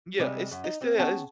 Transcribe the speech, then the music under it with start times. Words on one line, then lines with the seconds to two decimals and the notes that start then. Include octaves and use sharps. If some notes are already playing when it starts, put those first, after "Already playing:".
Yeah, it's it's still it's
0.19 C3 G3 G#3
0.51 F#2
0.64 D#4
0.82 C4
0.99 B3 C#4 G#4 G5 A5